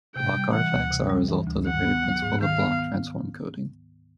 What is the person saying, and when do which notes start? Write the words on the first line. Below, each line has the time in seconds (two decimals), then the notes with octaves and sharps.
Block-artifacts are a result of the very principle of block transform coding.
0.15 C3 G5
0.35 G3
0.53 E3 F#5
0.72 D2
0.91 C3
1.10 G3
1.28 E3
1.48 D2
1.66 D#3 F#5
1.85 B3
2.03 F#3
2.22 G#2
2.41 D#3 F5
2.60 B3